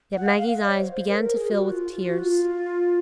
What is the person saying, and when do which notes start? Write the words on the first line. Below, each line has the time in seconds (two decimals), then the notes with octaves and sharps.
Yet Maggie's eyes began to fill with tears.
0.16 F#5
0.26 F5
0.36 F5
0.47 F5
0.58 D#5
0.68 C#5
0.81 C5
0.95 C5
1.09 A#4
1.23 A#4
1.36 G#4
1.50 F#4
1.70 F4
1.92 F4
2.05 F#4
2.19 F4